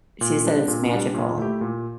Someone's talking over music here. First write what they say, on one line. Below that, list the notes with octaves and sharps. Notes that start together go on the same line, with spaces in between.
she said it's magical.
A#2
G3 D4
A#2
G3 D4
A#2
A3 E4 G4
A#2